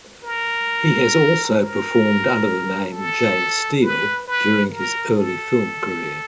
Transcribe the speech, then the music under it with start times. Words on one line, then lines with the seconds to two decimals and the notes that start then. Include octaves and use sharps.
He has also performed under the name J. Steele during his early film career.
0.24 A#4
1.58 A#4
2.92 A4
3.82 B4
4.28 B4
4.72 A#4
5.17 A4